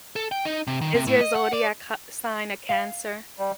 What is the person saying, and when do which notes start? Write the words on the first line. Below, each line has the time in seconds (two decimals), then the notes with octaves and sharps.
Is your zodiac h sign a Cancer?
0.16 A4
0.32 G5
0.45 D#4
0.67 C3
0.81 D#3
0.95 C3
1.07 A2
1.21 D#5
1.36 F#5
1.53 D5
2.69 F5
3.39 G3